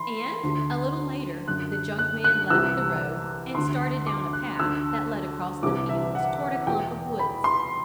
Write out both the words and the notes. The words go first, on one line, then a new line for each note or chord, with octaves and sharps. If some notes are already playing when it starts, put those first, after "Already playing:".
And, a little later, the junk man left the road, and started down a path that led across the fields toward a clump of woods.
Already playing: E3 B5 C6
D2 D3
F#2 D3 F#6
F#6
F#6
C2 C3 E3 E6
D2 D3 C6
D6
F#6
D2 D3 E6
C2 C3 E3 D6
E5
F#5
E2 B2 G5
B5
C6